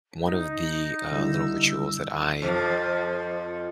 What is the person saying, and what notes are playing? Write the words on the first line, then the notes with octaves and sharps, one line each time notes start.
one of the, uh, little rituals that I
D#4
D3 G3 E4 E6
F2 F3